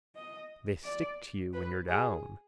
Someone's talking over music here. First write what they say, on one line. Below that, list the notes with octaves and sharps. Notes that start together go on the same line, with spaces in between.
They stick to you when you're down.
D#5
D5
B4
G#4